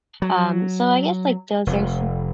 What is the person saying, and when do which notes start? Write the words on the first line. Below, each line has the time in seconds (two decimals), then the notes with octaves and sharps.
Um, so I guess, like, those are some
0.22 F#3
1.67 F1